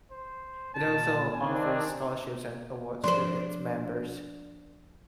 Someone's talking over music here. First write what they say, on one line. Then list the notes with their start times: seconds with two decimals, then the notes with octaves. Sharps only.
It also offers scholarships and awards to its members.
0.11 C5
0.74 A#2 A5
1.32 D#3 C4 D4 G#5
3.04 F3 D4 C5 C6